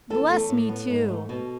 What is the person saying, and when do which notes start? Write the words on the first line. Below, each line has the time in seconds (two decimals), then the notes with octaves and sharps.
"Bless me too!"
0.10 E2 A4
0.30 A3
0.49 A2
0.69 B3
0.90 G#2
1.09 A3
1.29 B2